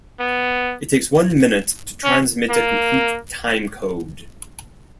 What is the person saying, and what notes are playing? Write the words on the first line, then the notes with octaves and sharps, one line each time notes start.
It takes one minute to transmit a complete time code.
B3
C#4
A#3